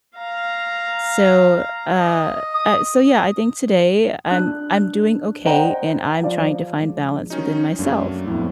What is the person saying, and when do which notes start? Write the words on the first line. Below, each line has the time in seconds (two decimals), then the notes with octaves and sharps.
So, uh uh, so yeah, I think today I'm I'm doing okay and I'm trying to find balance within myself.
0.17 F5 A#5
2.00 D#5
2.55 D#6
4.29 D4 F#6
5.45 C5 D5 D#5 F#5 G5 A#5
6.23 F3 D5
6.82 F3 G#3
7.30 D#3 C#4 D#4 F#4
7.79 F#2 F#3 A3 A#3 D4
8.27 F2 A2 B3 D4 E4